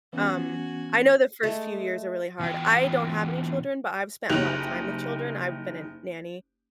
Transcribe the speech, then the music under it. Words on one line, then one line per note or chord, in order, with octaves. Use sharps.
Um, I know the first few years are really hard. I don't have any children, but I've spent a lot of time with children, I've been a nanny
E3 B3 C#4 F#4 G#5
G#3 A3
B2 E3 F4 G5
F#1 D#4 G4 F#6 F7